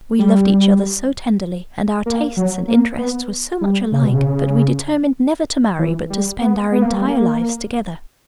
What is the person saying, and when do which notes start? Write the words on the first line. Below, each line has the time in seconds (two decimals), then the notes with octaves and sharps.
We loved each other so tenderly, and our tastes and interests were so much alike that we determined never to marry, but to spend our entire lives together.
0.19 G3
2.06 A#3
2.37 F#3
2.68 A#3
2.99 B3
3.61 G3
3.92 C#3
4.02 B2
4.13 C#3
5.79 E3
6.10 G3
6.41 B3
6.72 B3
6.82 A#3
6.92 G3
7.02 A#3